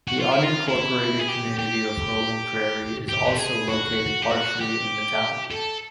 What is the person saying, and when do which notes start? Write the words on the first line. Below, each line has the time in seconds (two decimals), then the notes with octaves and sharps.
The unincorporated community of Rolling Prairie is also located partially in the town.
0.08 F#4
0.20 F4
0.32 E4
0.43 F4
0.68 E4
1.19 G#4
1.28 G4
1.59 G4
3.09 G4
3.25 A#4
3.33 A4
3.39 G#4
3.69 F#4
4.22 G4
4.30 F#4
4.60 G4
5.51 A4